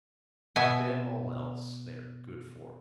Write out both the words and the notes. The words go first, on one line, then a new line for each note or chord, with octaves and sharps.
Damn all else they are good for.
B2 B3 E5 G#5